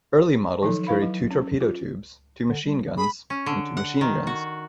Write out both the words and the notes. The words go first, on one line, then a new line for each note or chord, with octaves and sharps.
Early models carried two torpedo tubes, two machine guns and two machine guns.
D#3 F3 F#3 D#4 A4
E4 B4 F5 B5
F#3
C#4
F4
D3
G3
F3
G#4 B5
C#4
D3
F#5
D#3
F#4